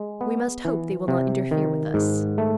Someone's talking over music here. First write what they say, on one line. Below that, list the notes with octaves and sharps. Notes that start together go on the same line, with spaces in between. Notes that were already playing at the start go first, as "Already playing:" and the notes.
"We must hope they will not interfere with us."
Already playing: G#3
B3
E3
C3
D#3
G#2
A3